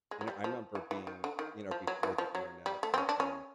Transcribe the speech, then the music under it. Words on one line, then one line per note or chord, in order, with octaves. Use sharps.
you know, I remember being you know, before the Internet thinking,
G#3
F#3
G3
F3
E3
E3
D#3
D3
D#3
F3
F#3
E3
F3
F#3
G3
A3
C4
C#4
D4
C#4